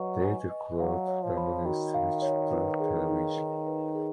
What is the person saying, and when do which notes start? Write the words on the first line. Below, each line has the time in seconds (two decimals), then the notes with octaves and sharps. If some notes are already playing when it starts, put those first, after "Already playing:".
Later Claude Lemoine switched to television.
Already playing: F#3 B4 D#5 C#6
0.22 G#5
0.50 D#5
0.79 F#3 F5
1.08 C#5
1.22 F3
1.37 B5
1.65 D#3 F#4
1.94 F5
2.22 C#5
2.52 B4
2.80 G#4
3.09 D#4
3.37 D#4
3.67 B4
3.95 G#4